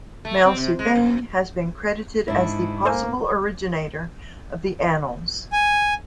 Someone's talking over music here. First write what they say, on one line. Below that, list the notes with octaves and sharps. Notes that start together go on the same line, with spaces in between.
Maelsuthain has been credited as the possible originator of the "Annals".
A3
C4
C3
G#3
F#2
G#2 D4 E4
A#3 A4 C5 G#5
G#5